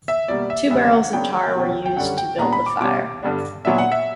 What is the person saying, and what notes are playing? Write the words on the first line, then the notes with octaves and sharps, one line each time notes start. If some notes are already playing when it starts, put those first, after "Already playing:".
Two barrels of tar were used to build the fire.
E5
B2 G3 A#3 D5
E5
E2 C#3 G3 B3 E5
F#5
C#3 F#3 B3 D4 G5
B2 F#3 C#4
G5
F#2 D3 G3 C#4 F#5
G5
A#2 G3 B3 D4 A#5
B5
D6
B2 G3 C#4 D6
G2 D3 G3 B3 D4
A#2 F#3 B3 D4 E5
F#5
E5